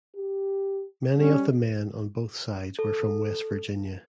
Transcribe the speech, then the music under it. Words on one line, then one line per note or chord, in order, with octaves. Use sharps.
Many of the men on both sides were from West Virginia.
G4
G3 C#4
A4